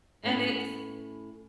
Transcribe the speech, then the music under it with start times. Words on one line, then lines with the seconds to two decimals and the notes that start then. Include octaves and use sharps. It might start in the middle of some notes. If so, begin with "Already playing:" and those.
And it's
0.23 A2 C#4 B4